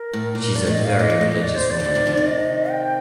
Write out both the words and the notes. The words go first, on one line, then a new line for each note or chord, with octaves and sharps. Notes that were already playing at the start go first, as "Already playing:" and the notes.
She’s a very religious woman.
Already playing: A#4
A2
A#2
G2 D5
A2
D#5
A2
F5
A2
A#2 D#5
A#2
A2
A#2
D5
C5
D5
D3
C3
C3 D#3
D3 F3
C3 D#3
D#5
G5